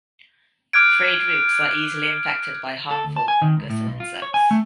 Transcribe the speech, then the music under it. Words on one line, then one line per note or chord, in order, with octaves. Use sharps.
Frayed roots are easily infected by harmful fungus and insects.
D6 F6 F#6 G#6 D7
A4
D2
A5
G#5
D#3
C#2
A2
B1
F4
C#5
G#5
A3